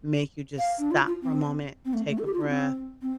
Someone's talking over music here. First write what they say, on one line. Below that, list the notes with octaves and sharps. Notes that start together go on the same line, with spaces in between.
make you just stop for a moment, take a breath,
F5
D4
F4
F4
C4
C4
A3
A3
A4
G4
F4
D4
C4
C4